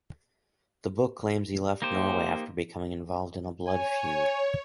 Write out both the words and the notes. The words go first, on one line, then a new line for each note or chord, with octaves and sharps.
The book claims he left Norway after becoming involved in a blood feud.
A#3 D#4 G4 C5
C#5 G#5